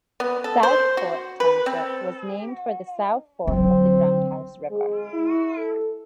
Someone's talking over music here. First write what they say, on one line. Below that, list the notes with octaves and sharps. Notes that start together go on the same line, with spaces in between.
South Fork Township was named for the south fork of the Groundhouse River.
B3
A4
C5
F#4
B4
C4
D3 F#3 C4
G#3
E4
A4